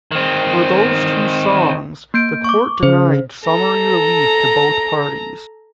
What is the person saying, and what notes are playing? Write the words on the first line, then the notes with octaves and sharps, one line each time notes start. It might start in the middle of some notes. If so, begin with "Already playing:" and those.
For those two songs, the court denied summary relief to both parties.
D#3 C4
A#3 G6 D7
C#6 D6
C#3 C5
A4 A#5